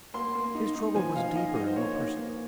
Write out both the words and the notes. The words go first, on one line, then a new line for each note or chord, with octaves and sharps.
His trouble was deeper and more personal.
A#3 C6
A#3
D#4
D#4
F3 G#5
D#4 F5
D#4 D#5
D#4 D#5
C5
A#3 C#5
D#4
A#3